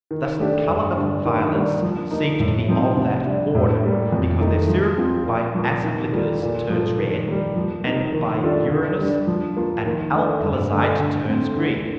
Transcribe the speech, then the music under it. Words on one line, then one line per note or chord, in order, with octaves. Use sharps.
Thus the Colour of Violets seems to be of that Order, because their Syrup by acid Liquors turns red, and by urinous and alcalizate turns green.
D#3
A3 D4 G4
G2
D3 G3 D4
D#3
G3 A#3 D4
F3
A#3 D#4
A2
F3 C4 D#4
C3
G3 D4
A2
G3 A#3
F2
D#3 A3 D#4
F3
C4 F4
A#2
F3 A#3
D#3
G3 A#3 F4 A4
A#2
F3 A#3 F4 A4
D#3
G3 A#3
F3
A#3 D#4
D#3
G3 D4 F4 A4
D3
G3 D4
F3
A#3 F4
D#3
A3 D4
G2
D3 A3
D3
A3 C4
D3